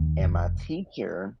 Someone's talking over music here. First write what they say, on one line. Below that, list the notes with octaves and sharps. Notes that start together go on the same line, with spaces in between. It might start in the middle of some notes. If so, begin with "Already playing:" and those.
and my teacher
Already playing: D#2
F1